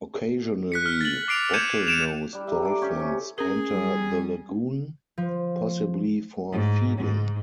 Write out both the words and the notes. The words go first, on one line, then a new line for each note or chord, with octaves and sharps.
Occasionally, Bottlenose Dolphins enter the lagoon, possibly for feeding.
F#6 B6 C#7
F6
A6 F#7
D6 C7 D7 F7
G6 G#6 C#7 D#7 E7
C#7 D7 E7 F7
G3 D4
E5 A#5
A4 D5
C#4 G4
C3 C#4
C#4 G#4 A#4
G3
F3
G#2
G#2